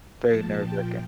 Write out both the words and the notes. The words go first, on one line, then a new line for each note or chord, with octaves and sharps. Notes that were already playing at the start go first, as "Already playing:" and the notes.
very nerve-wracking.
A#2 F3 A5
G5